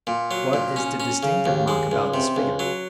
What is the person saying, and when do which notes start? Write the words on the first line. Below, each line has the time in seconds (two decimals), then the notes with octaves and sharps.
What is the distinctive mark about this figure?
0.07 A#2
0.31 F#3
0.53 A#2
0.76 C#4
1.00 C#4
1.23 C#3
1.45 D#2
1.68 G#3
1.92 C#2
2.14 C3
2.36 C#2
2.59 F#3